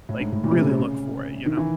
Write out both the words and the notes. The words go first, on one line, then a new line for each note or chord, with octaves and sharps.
like, really look for it, you know?
A2
G#2
A2
A#2
C3
C#3
C3
C#3
D#3
E3